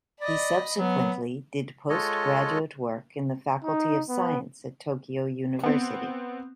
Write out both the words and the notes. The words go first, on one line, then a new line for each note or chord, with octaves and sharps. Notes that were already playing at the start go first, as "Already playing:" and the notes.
He subsequently did postgraduate work in the Faculty of Science at Tokyo University.
D5 D#5 B5
F#3 B3
G#3 F4 A4 C#5 D#5
D#4
B3
B3 C4